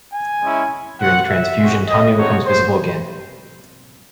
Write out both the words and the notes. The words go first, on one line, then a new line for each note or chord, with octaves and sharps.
During the transfusion Tommy becomes visible again.
G#5
G#3 C#4 E4
C4 F#4 F#5
E5
G#3 C4 F#4
D#5
A3 C4 D#4 F#4 C#5
C5